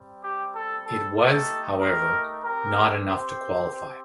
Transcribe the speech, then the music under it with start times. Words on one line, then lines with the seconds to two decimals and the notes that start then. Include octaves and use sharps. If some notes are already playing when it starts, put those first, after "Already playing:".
It was, however, not enough to qualify.
Already playing: G3 C4
0.23 G4
0.55 A4
0.86 A4
1.18 A3 D#4 G4 A4
1.81 A#4
2.44 C4 G4 A#4
3.08 C5
3.71 C4 G4